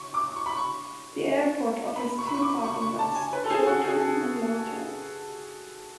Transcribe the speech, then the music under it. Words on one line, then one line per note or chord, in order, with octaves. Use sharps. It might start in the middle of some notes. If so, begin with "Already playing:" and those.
The airport offers two parking lots: short term and long term.
Already playing: C#6
D6
C#6
B5
C#6
B5
C#6
B5
C#6
D6
C#6
C#6
A5
G#5
B4
A4
G#4
G#4
F#4
G#4